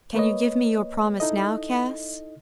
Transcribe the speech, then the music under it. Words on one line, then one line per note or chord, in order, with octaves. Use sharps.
"Can you give me your promise now, Cass?"
A#3 B4 C#5 D#5
D#4 E4 A4 D#5